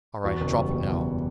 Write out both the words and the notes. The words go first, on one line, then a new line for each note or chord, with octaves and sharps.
All right, drop it now.
E2 F#4
F#1
G3
B2
E2